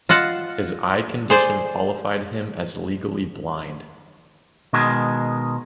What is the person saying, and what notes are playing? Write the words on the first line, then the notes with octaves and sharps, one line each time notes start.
His eye condition qualified him as legally blind.
F4 D#5 F#5 A5
G#4 C5 D5
B2 D#3 G#3